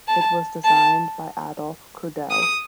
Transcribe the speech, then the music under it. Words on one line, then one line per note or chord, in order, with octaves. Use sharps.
It was designed by Adolph Cudell.
A5
A5
D#6